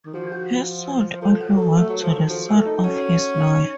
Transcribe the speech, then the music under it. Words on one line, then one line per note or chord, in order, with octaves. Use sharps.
He sold only one, to the son of his lawyer.
D#3
F3 F#4
F#4
F4
F3 A4
F3 F#4
F#3
A4
A3 A4
F#3
F3 A4
D#3
F3 F#4
A3
A4
D#4
D#4
C#4 F#4
D#4